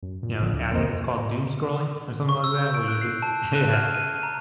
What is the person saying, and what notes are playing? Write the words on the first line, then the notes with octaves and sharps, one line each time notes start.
you know, I think it's called doom scrolling or something like that where you just yeah.
F#2
A#2
G#1 D3 F3
D2
G#1 F2 A#3 A#4 C5 D#5
C#6
E6
G6
D7
F#6
C7
A5
F#6
F6
D#7
A#5